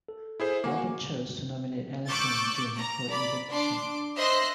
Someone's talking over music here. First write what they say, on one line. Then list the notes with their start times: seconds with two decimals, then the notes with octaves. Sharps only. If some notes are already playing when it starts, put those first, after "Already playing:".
Robert chose to nominate Alison and Jun for eviction.
0.08 A4
0.40 E4 G#4 C5
0.64 A#3 F#4 F#5 G#5 D6
2.08 C#6 D6 E6 F#6 G6 A6
2.76 A#5
3.10 D5 B5
3.49 D4 C6 D6
4.16 C5 D#5 E5 C6 F#6 A#6